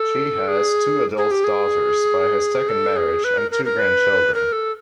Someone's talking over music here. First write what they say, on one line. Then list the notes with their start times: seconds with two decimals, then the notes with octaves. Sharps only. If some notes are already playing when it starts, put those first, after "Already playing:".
She has two adult daughters by her second marriage and two grandchildren.
Already playing: A4
0.48 G#4
1.18 G#4
1.31 G4
1.44 G#4
2.69 A4
2.96 G#4
3.24 B4
3.38 A#4
3.51 A#4
3.65 A#4
3.79 B4
4.34 A#4
4.52 A4